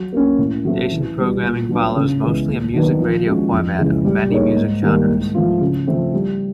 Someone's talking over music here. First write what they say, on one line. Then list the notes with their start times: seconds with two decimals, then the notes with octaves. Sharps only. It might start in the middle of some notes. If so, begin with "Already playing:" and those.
Station programming follows mostly a music radio format of many music genres.
Already playing: F#3
0.13 A#3 C#4
0.39 A2
0.65 F#3 A3 C4
0.91 E3
1.17 G3 B3
1.43 A#2
1.69 F#3 B3 D4 F4
1.96 C#3
2.21 E3 G#3 B3
2.47 D#2
2.74 D#3 F#3 B3 D4
3.00 F3
3.26 G#3 C#4 F#4
3.52 F2
3.78 C#3 E3 G#3
4.05 G3
4.30 A#3 D#4 G#4 C#5
4.56 G#2
4.83 D#3 G3 A#3
5.09 G#2
5.35 F3 A3 C4 F4
5.61 C#3
5.87 F3 A3 C4
6.13 G3